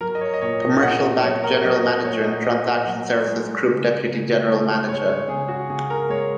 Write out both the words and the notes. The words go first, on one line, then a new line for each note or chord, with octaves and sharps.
Commercial Bank General manager and Transaction Services Group Deputy General Manager.
F#3 A#4
D#5
C#5
D#5
A#2 C#5
D#5
A#2 F#5
F#3 C#5
A#4
F#3 D#5
D#5
A#2 C#5
D#5
A#2 D#5
F#3 F#5
G#3
C#3
C#3
G#3
G#3 C#5
C#5
C#3 G#4
F#4
C#3 G#4
A#4
G#3 C#5